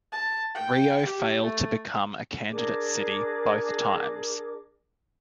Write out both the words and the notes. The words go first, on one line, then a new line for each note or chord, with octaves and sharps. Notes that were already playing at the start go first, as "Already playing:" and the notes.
Rio failed to become a candidate city both times.
A5
G5
G4
A3
D4 G#4 A#4 D6